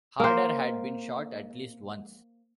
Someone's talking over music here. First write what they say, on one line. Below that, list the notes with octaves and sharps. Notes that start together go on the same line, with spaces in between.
Harder had been shot at least once.
A#3 C5